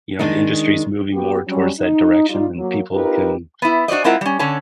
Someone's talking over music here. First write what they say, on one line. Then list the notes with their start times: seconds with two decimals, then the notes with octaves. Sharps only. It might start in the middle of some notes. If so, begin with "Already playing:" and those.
you know, the industry's moving more towards that direction, and people can
0.19 D#3 G#3 D4 D#4
1.12 A#3 B3 F#4 G4
1.47 F#3 G3 C#4
1.79 D#4
2.28 G3 D#4 F4
2.57 F#3 A#3
2.92 C4 D#4 F4 G4 A#4 B4
3.62 B3 E4
3.88 D4 F#4 C5 D5 D#5
4.04 G#3 C4 E4 F4 A#4 F#5
4.21 G3 C#4
4.39 D3 C#4 C#5 A5